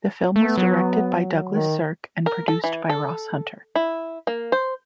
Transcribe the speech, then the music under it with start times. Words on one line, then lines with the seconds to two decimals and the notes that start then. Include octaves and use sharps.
The film was directed by Douglas Sirk and produced by Ross Hunter.
0.36 A3 B3
0.58 F#3
1.47 D#3
2.26 A#4
2.48 A4
2.64 E3
2.89 A4
3.75 E4
4.27 A#3
4.52 C5